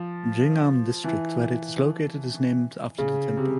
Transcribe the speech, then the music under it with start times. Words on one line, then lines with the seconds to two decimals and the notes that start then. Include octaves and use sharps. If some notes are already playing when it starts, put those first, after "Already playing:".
Jing'an District, where it is located, is named after the temple.
Already playing: F3
1.04 E3
2.98 C#3
3.37 C3